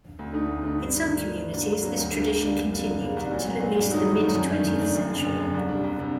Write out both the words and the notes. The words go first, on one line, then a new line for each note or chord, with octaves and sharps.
In some communities this tradition continued until at least the mid-twentieth century.
D2
D3 A3 D#4
D2
D3 A3 D#4
G2
D#3 A3
G2
D#3 A3
G2
D3 F#3 A#3 D4
G2
D3 F#3 A#3 D4
D2
D3 G3 A#3 D4
D2
D3 G3 A#3 D4
F#2
D3 G3 A#3
F#2
D3 G3 A#3
C2
A#2 F#3
C2
A#2 F#3
G2
D#3 F#3 A3 D#4
G2
D#3 F#3 A3 D#4
F#2
D#3 A3 D4
F#2
D#3 A3 D4
F#1
F#2 D3
F#1
F#2 D3
C2
C3 G3 D4
C2
C3 G3 D4